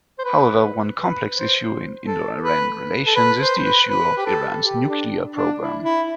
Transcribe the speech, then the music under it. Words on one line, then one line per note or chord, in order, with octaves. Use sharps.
However, one complex issue in Indo-Iran relations is the issue of Iran's nuclear programme.
C5
B4
B4
C5
A4
B4
A4
B4
C5
B4
B4
G4
A4
G4
D4
D4
E4
E4